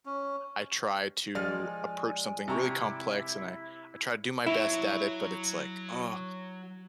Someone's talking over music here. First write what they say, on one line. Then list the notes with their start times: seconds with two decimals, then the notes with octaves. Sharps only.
I try to approach something really complex, and I I try to do my best at it, but it's like, "Ugh."
0.06 C#4
1.35 F3 G#3 G4 D5 F6
1.65 G#5
2.48 C3 E4 A5 A#5 C#6
2.83 D6
4.46 F#3 E4